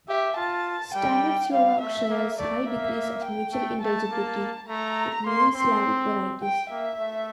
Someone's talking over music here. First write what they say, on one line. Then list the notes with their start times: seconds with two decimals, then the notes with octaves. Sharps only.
Standard Slovak shares high degrees of mutual intelligibility with many Slavic varieties.
0.08 G4 E5
0.36 F4 A5
0.94 G3 G5
1.52 G3 F5
1.81 A3 E5
2.10 A#3
2.38 A3 D5
2.67 A#3 E5
3.25 G5
3.53 A3
3.83 A3 A5
4.11 A#3
4.69 A3 A#5
5.26 A#3 C6
5.55 C4 C6
6.42 G5
6.69 A#3 E5
6.99 A3